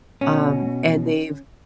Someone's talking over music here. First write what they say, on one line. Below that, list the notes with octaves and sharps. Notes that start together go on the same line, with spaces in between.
um, and they've
B2 C#4